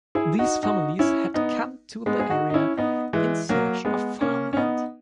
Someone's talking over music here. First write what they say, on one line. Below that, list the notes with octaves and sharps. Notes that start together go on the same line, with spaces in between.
These families had come to the area in search of farmland.
E4 G#4
D#4 F#4
D#4 F#4
C#4 E4
B3 D#4
G#3 B3
G#4
D#4 F#4
D#4
C#4 E4
B3 D#4
E3 G#3
F#3 A#3
G#3 B3
A#3 C#4
C#4
B3 D#4